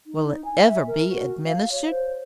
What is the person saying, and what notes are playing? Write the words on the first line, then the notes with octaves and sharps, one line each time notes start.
Will it ever be administered?
D#4
G#5
E5
A#4
F#4
F5
C#5
C5